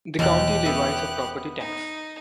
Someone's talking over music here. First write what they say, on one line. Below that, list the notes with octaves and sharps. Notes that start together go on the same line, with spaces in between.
The County levies a property tax.
E1 D#2 E3 G4 F#6
B3 E5
D#4